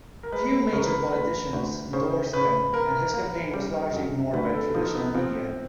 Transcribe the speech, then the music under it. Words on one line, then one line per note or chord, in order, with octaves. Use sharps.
Few major politicians endorsed him, and his campaign was largely ignored by traditional media.
A#4
G#3 B4
C#3 A#4
B4
A#4
D2 B4
D2
C#3 C5
C#3 B4
A#3 A#4
A#3
G3
F#2
D2 B4
A4
F3 D#4
B3
F3 C4